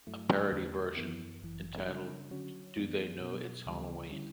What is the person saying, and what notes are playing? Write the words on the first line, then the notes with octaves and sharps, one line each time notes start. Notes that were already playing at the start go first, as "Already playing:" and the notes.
A parody version entitled Do They Know It's Hallowe'en?
G2 F#3 A3 E4
E2 D3 A3 C#4 G4
F#2 E3 B3 E4
G1 F#2 E3
C#3 G3 D4
D3 F#3 C#4 F#4 C#5
F#2 E3 B3 D4
B2 F#3 B3
D2 C#3 E3 G3 B3
D3 G3 C#4 E4